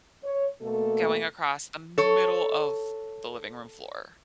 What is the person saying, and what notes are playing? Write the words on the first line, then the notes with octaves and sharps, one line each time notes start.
going across the middle of the living room floor.
C#5
B2 A3 A#3 A4
A4 C#5